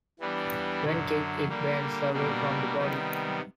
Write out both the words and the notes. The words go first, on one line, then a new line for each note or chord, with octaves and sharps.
When kicked, it bends away from the body.
E3 G3 B3 D4
F#2 D3 F#3
D3 G3 A#3
B2 G3 A#3 D4
C3 D#3 G3 B3